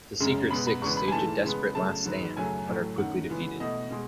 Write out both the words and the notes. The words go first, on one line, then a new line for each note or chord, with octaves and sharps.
The Secret Six stage a desperate last stand, but are quickly defeated.
F#2 C#3 G#3
B2 G#3 B3 B5
B5
E2 C#3 G#3 B3 C#6
B5
G#5
G#2 E3 A3 A5
C#3 G#3 B3
C#3 F#3 A3 A5
G#2 D#3 F#3 B3
F#2 C#3 F#3 A3 G#5
A2 F#3 A3
F#2 D#3 A3 F#5
C#3 E3 G#3 B3
B2 A3 D#5
B2 G#3